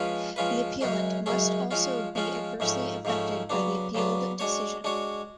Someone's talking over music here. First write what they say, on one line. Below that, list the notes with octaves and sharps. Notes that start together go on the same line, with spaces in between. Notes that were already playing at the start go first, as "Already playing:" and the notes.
The appellant must also be adversely affected by the appealed decision.
Already playing: F3 G#3 C#4 F4 B4
F3 G#3 C#4 F4 B4
F#2 C#3 G#3 C#4 G#4
F#2 C#3 G#3 C#4 G#4
F3 G#3 C#4 F4
F3 G#3 C#4 F4
G#2 F3 A3 C#4
G#2 F3 A3 C#4
C#3 F#3 B3 D4
C#3 F#3 B3 D4
G#3 D4 F#4 C#5
G#3 D4 F#4 C#5